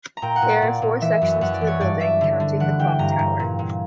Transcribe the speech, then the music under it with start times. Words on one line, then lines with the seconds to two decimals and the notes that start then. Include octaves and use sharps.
There are four sections to the building, counting the clock tower.
0.17 A#5
0.22 A#2 G5
0.36 F#5
0.42 A#2
0.49 D5
0.62 A#2
0.82 A#2
1.01 E3 E5
1.22 F#2
1.41 F#2 F#5
1.54 D5
1.61 E3
1.67 C#5
1.81 G2 D5
2.00 G2 E5
2.21 D3
2.40 D3
2.60 E3 F#5
2.79 E3 G5
2.99 G2 A#5
3.19 G2
3.39 A#2
3.59 A#2